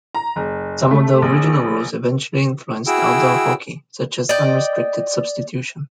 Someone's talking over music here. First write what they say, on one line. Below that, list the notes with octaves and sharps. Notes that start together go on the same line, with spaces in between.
Some of the original rules eventually influenced outdoor hockey, such as unrestricted substitution.
A#5
F#1
A3
A#1
E4 F#4 G#4 G5 E6
D5 D#5 G5